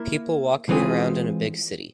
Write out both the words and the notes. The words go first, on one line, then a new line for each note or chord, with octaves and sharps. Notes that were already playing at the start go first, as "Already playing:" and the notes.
People walking around in a big city.
Already playing: A#3 E4 A#4
E3 G#3 C4 F4 G#4